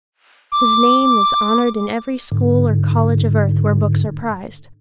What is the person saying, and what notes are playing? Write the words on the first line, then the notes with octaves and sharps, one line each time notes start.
His name is honored in every school or college of earth where books are prized.
D6
G#2 D3